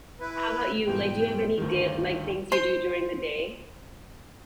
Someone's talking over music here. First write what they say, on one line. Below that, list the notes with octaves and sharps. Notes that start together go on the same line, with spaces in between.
How about you? Like, do you have any da like, things you do during the day?
E4 B4
G#2 B2 E3 G5
D2 G2 D#3
C5 C6